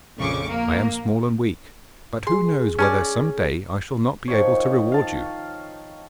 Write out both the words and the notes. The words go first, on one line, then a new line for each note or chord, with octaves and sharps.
I am small and weak, but who knows whether some day I shall not be able to reward you.'
A#1 F2 C#3 C#6 D6
A#3
G#4 C6
C#4 D5 G#5 A5
D#3 F3 C#5
F5 A5